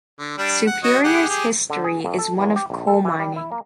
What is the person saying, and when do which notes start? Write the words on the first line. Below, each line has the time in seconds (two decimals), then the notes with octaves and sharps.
Superior's history is one of coal mining.
0.19 D3
0.38 G3 D4
0.67 F#5
0.83 F#4 C#5 D#5
1.04 G4 G#4 F#5
1.29 G4 G#4
1.70 D3
1.84 G#4
2.05 F2
2.18 A4
2.39 E2
2.56 G4
2.70 A#1
2.87 A4
3.05 E3
3.19 G3
3.36 E4
3.52 A#3